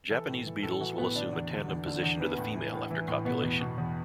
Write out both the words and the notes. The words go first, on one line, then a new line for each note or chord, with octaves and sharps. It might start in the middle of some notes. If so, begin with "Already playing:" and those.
Japanese beetles will assume a tandem position to the female after copulation.
E3 A4
A2
E3
A2 A4
E3 F#4
A2 B3
D3 D4
E2
D3
E2
D3
E2
E3 B3
A2
E3
A2
E3
A2
B2 B3
E2
B2
E2